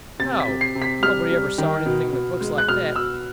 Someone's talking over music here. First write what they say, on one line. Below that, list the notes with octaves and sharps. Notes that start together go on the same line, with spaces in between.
No; nobody ever saw anything in the books like that.
C3 A6
B6
C3
C7
C3
B6
G3 F6
G3
D#3
B2
B2
G#3
F#6
B2 F6
B2 E6